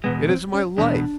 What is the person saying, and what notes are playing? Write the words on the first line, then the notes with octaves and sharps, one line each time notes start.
It is my life.
E2 B2 G#3 B3
C4
C#4
E2 B2 G#3 D4